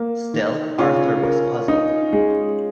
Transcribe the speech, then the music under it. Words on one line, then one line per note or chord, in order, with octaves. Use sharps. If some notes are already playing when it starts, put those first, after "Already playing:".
Still Arthur was puzzled.
Already playing: A#3
D#3
C#3 C#4 F4
A#4
D#4
G#3